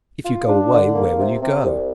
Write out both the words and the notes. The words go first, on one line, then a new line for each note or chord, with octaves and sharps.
If you go away, where will you go?
F4
D4
D3
A#3
C3
C3
C2